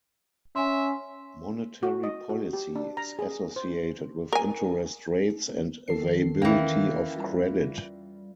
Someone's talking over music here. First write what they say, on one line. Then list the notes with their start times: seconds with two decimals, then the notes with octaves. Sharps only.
Monetary policy is associated with interest rates and availability of credit.
0.56 C#4 E5 G#5 C6
1.83 F#4
2.04 D#5
2.29 F#4
2.53 G4
2.76 D4
2.97 A#5
3.19 G#4
3.56 C5
4.33 A#4 G#5
5.88 D#3 A4 C7
6.42 E2 E3 A#3 C#4 G5
7.16 G3 F4